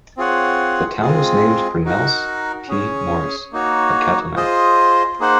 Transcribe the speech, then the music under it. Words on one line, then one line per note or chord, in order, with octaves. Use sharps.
The town was named for Nels P. Morris, a cattleman.
C4 F4 G#4 C#5 F#5
G#3 C4 F4 G#4
D#4 F#4 A#4
C#4 G#4 C#5
A#3 D#4 F#4 C#5
F4 G#4 C5 D#5
A#3 D#4 G#4 C5 F#5